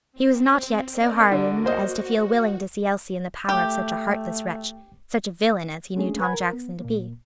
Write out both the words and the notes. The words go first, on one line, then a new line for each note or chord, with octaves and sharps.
He was not yet so hardened as to feel willing to see Elsie in the power of such a heartless wretch, such a villain as he knew Tom Jackson to be.
C4
A#4 D5 D#5
D3 F#4
A#3 C5 D#5
A3 G4 G5 G6
G#3 A3 C#4 D4 G#4
B4 F#5 G#5 B5 G#6
A#4
B3
A#2 A#3